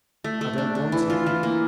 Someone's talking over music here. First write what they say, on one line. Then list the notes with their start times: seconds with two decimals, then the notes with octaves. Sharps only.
I don't want it.
0.24 A3
0.41 A3
0.58 D4
0.75 D4
0.92 E3
1.10 F4
1.26 E3
1.43 A#3